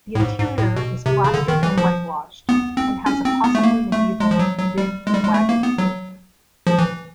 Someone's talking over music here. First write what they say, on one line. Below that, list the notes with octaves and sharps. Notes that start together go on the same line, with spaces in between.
The interior is plastered and whitewashed and has a possibly medieval ribbed wagon roof.
A2
G#2
G#2
A2
B2
C3
C#3
D3
D#3
E3
F3
B3
C4
C#4
C4
B3
A3
A#3
A3
G#3
F3
F#3
F#3
G3
G#3
G3
G#3
A3
A#3
B3
F#3
F3
E3